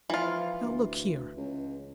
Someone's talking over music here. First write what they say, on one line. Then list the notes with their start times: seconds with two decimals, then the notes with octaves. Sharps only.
Now, look here!
0.10 E3 F3 F4
0.61 D2
1.37 C#2